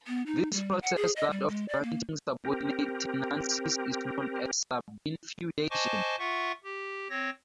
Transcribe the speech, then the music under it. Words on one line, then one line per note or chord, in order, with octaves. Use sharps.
This process-that of granting subordinate tenancies-is known as subinfeudation.
B3
D#4
G3
F#5
G#4
D#5
G3
G#3
D5
A#3
C4 G4 A#4
C5 D#5 G#5 A5 C#6 D6
F4 E5 F#5 C#6
G4
C4 C#5 A#6